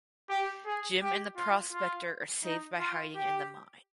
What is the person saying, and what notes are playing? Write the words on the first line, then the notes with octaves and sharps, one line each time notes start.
Jim and the prospector are saved by hiding in the mine.
G4
G#4
G4
F4
F4
D#4
F4
G4